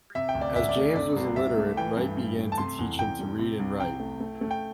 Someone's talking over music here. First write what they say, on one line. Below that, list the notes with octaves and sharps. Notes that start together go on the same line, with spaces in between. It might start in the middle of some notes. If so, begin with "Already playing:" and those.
As James was illiterate, Wright began to teach him to read and write.
C3 E5
G5
D2
D5
D2 E5
D5
A3
C3 D5
C2
C2 E5
A3
E3 G5
G2
G2
A3
A5
C3 C6
E2
E2 G5
G3
C3
C2
C2 G5
A3
A3
A3
G5